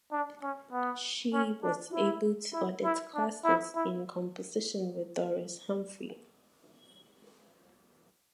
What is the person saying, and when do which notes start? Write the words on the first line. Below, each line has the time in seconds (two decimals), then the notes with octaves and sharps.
She was able to audit classes in composition with Doris Humphrey.
0.12 D4
0.42 C#4
0.72 B3
1.33 C#4
1.63 D4
1.93 E4
2.53 E4
2.84 E4
3.14 D4
3.44 E4
3.75 E4